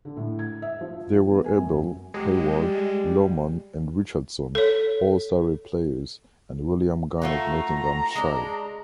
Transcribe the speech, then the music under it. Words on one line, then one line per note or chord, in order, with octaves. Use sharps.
They were Abel, Hayward, Lohmann and Richardson, all Surrey-players, and William Gunn of Nottinghamshire.
D3
A2
G#6
E5
F3
B3
G#5
F#2
F#3 G#3 G4
G3
A4 C#5
A3 F4 F#4 A#5
G#3 D4